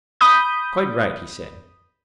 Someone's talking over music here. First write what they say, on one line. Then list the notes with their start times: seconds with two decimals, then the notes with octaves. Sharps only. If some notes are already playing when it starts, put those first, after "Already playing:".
Quite right, he said.
0.21 B5 D#6 G6